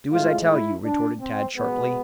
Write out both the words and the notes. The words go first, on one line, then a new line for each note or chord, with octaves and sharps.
"Do as I tell you," retorted Tad sharply.
A2 G#3 F4
E4
D4
C4
B2 G#3 B3